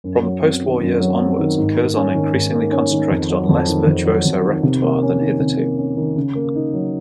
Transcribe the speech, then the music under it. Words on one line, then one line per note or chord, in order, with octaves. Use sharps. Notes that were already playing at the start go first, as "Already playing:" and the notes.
From the post-war years onwards, Curzon increasingly concentrated on less virtuoso repertoire than hitherto.
F#2
F#3
C4
D#3
F#2
F#3
C4
D#3
G#2
A#3
C#4
D#3
G#2
A#3
C#4
D#3
F2
F#3
F2
D#3
F2
F#3
F2
D#3
C3
A#3
C#4
D#3
C3
A#3
C#4
D#3
C#3
A#3
D#4
F#3